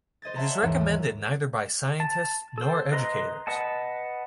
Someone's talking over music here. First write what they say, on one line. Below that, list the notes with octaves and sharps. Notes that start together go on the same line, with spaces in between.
It is recommended neither by scientists nor educators.
C5 D#5 G#6 A6
C#5 E5 F#5 A5 A#5 C6
D#2 G#2 E3
A5
A4 C5
B4 D#5 A#5 C6
B4 D#5 F#5 A5